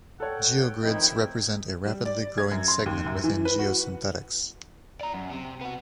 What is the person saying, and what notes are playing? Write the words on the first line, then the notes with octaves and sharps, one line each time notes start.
Geogrids represent a rapidly growing segment within geosynthetics.
A4 C#5 F#5 G5
F2 D#3 D#4 E4
G3
D5
G#6
F#2
C6
D#2
F#2
E3
B4
F#4
D5 A#5
F#2
C3
B3 F#4